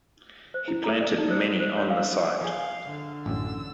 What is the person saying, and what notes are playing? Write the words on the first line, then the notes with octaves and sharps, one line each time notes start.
He planted many on the site.
C5
E4
A#5
D5
D#4
C5
F#4
C5
C#5
F5
F3 G#4 F5
D3
A1 F#2 E6